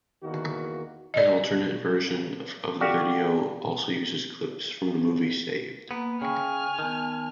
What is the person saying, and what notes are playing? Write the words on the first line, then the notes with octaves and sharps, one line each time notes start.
An alternate version of the video also uses clips from the movie "Saved!".
E2 D#3 A#3 F#4
D5 D#5
F#4 G4 D5 F5
A#3 B3 B5
C#3 G5 G#5 C#6 F6
D#3 B3 A5